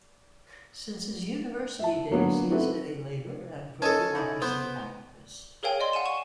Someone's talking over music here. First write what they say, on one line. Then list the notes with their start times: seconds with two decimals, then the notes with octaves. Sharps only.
Since his university days, he has been a labour and pro-democracy activist.
1.79 E5 A5
2.11 D3 F#3 A#3 B3
2.50 C4 E4 F#4 A4 B4
3.82 C#4 A4 D#5 A5
4.15 D#4 E4 G#4
4.42 B3 C5
5.63 G#4 A#4 C#5 F5 G5 G#5
5.80 D5 D#5 C6
5.93 F5 F#5 G#5 D#7 E7
6.05 G#5 C#6 E7